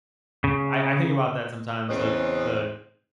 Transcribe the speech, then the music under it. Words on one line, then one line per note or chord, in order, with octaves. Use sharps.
Uh, I I think about that sometimes, like, the
C#3
E2 C#3 C4 C#4 B4 D#5